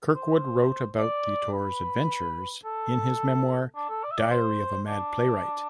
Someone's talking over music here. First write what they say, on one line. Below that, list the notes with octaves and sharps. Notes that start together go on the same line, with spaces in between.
Kirkwood wrote about the tour's adventures in his memoir, "Diary of a Mad Playwright".
C5
D5
B4
A4
D4
A4
D5
E5
D5
C5
D4